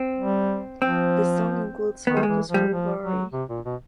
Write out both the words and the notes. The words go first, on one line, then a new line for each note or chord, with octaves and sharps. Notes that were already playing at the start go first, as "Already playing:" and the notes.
The song includes vocals from Vory.
Already playing: C4
G3
F3 C4
D#3 B3
G3
E3 G#3
F3
G3
F3
F#3
C3
A#2
B2